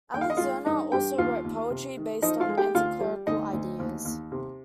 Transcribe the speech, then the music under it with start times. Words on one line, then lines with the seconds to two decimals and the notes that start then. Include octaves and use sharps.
Alxinger also wrote poetry based on anticlerical ideas.
0.14 D#2 G5
0.21 F5
0.30 D#5
0.37 G#3 F4 F5
0.66 G2 D#4 D#5
0.92 G2 G4 G5
1.18 D#2 F4 F5
1.45 D#2
1.70 C3
1.97 D#3
2.22 F3 D#4 D#5
2.40 F4 F5
2.49 G#3
2.58 G4 G5
2.75 D2 F4 F5
3.01 G3
3.27 D2 D#4 D#5
3.53 D2
3.79 D#2
4.05 D#2
4.32 C3